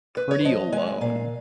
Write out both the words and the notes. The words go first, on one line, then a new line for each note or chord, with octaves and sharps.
pretty alone.
B4
C#5
F3 D#5
G#3 G#5
A#2 F5